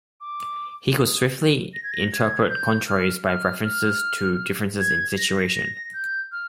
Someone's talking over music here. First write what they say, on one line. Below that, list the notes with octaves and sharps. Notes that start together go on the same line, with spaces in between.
He could swiftly interpret contraries by references to differences in situation.
D6
D#6
A#6
G#6
A#6
G#6
G6
F6
F6
F6
G#6
A#6
A#6
G6
F6